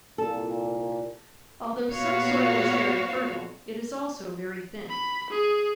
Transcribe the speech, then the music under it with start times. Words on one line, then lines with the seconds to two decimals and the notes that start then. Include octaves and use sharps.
Although some soil is very fertile, it is also very thin.
0.18 C2 A#2 A4
1.90 A#2 B3 F#4 C#5 F5
4.89 B5
5.30 G#4